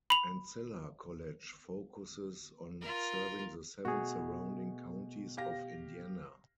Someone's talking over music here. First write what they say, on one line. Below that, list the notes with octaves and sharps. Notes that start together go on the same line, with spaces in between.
Ancilla College focuses on serving the seven surrounding counties of Indiana.
B5 F7
F4 A#4
B2 A3 B3 F#4 G#4
G4 F5 A#6